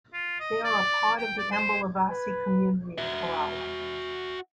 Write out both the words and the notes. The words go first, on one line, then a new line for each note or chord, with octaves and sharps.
They are a part of the Ambalavasi community in Kerala.
F4
D#5
D5
G5
D5
C5
B4
F#4 E5